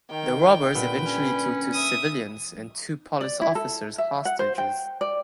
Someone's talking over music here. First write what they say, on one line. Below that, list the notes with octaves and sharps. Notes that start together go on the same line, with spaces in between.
The robbers eventually took two civilians and two police officers hostages.
D#3 G5
A#2 D3 G3 B4
C#4
E5 D#6
D5
E4
A4
E5
F#5
C5
G5
D5